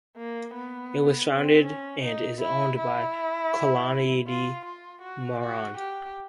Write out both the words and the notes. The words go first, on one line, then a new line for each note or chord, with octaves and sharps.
It was founded and is owned by Kalanidhi Maran.
A#3
B3
C4
C#4
D#4
E4
E4
F4
F4
F#4
F#4
G4